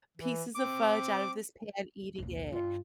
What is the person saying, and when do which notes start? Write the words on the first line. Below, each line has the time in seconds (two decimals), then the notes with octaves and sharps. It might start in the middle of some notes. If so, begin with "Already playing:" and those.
pieces of fudge out of this pan, eating it.
0.18 E3
0.55 C4 D6
2.18 A#1 D#2 C3
2.52 G2 F4